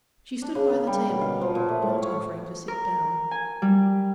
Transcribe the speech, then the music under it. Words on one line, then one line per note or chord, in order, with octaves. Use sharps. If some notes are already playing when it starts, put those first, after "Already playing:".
She stood by the table, not offering to sit down.
D4
C#3
A#3
G3
B2
F5
F3
A#2
A3
A2
C#5
A#4
G#5
G3